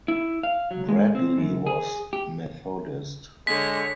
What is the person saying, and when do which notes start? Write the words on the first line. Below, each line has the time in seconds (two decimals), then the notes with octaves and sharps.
Bradley was Methodist.
0.08 E4
0.43 F5
0.71 F#3
0.89 G#3
1.15 C4
1.38 F#2
1.67 G#4
2.13 G4
3.47 D3 G#3 C#5 B6